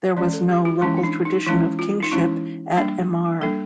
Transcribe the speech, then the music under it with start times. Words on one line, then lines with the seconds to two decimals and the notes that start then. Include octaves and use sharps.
There was no local tradition of kingship at Emar.
0.17 E3 G#3 C#4 D5
0.33 A4
0.49 G4
0.65 F4
0.81 E3 G#3 C#4 E4
0.97 D#4
1.03 D4
1.25 D#4
1.46 E3 G#3 C#4 E4
1.79 F4
2.03 D#4
2.12 E3 G#3 C#4 E4
2.76 G3 A#3 D4
3.41 G3 A#3 D4 A4